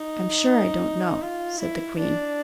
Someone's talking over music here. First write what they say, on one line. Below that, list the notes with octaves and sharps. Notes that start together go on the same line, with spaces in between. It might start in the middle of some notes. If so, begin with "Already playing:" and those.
"I'm sure I don't know," said the queen.
Already playing: D#4
F4
E4
D4